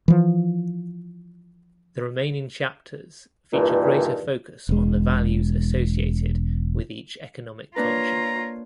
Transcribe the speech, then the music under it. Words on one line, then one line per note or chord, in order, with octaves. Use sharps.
The remaining chapters feature greater focus on the values associated with each economic culture.
E3 F3
E2 G2 A#2 D#3 E3
E1 G#3
A#3 D4 F4 B4 C#5 A#5